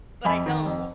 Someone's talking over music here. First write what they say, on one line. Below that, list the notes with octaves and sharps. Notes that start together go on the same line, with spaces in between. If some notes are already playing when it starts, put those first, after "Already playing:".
but I don't.
F2 G#5 B5
D#3
F2